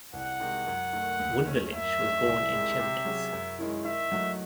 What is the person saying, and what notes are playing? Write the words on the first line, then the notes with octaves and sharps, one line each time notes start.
Wunderlich was born in Chemnitz.
C2 F#5
C3 D#3 G#3
F#2
D#3 A3
D#2
D#3 A3 C#4
F#2 E5
D#3 A3 C#4
C2
C3 D#3 G#3
C3
F#3 C#4 G#4
F#2
D#3 G#3 C#4 E4
D#3 E5
F#3 A3 D#4